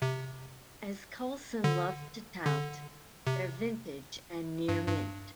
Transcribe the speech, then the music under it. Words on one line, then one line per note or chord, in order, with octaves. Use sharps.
As Coulson loved to tout They're vintage and near mint.
C3
D3
D3
C3
G2
G2